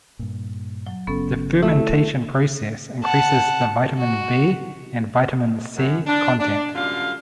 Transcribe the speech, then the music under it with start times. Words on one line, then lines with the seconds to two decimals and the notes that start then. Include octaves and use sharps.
The fermentation process increases the vitamin B and vitamin C content.
0.19 G2 A#2
0.87 F#3
1.07 G1 C#3 B3 C#4 A4
1.62 A3 E4
3.03 F#5 A5
3.98 F#4
5.77 F#2
6.07 D4
6.40 D4
6.75 F#2 D3 G3 A3 F4 F5